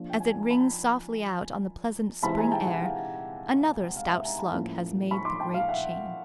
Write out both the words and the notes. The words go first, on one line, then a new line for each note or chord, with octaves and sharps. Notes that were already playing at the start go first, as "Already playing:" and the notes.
As it rings softly out on the pleasant spring air, another stout slug has made the Great Change.
Already playing: F3 A#3 D4
G5
G#5
A5
A#5
A5 B5
C3 E3 G#3 C4 A5 B5
G#5 A#5
G5 A5
F#5 G#5
F5 G5
F#5
F5
E5
G#5 A#5
A5 B5
A2 F3 A#3 C#4
B5 C#6
C6 D6
G5 A5
F5
E5 F#5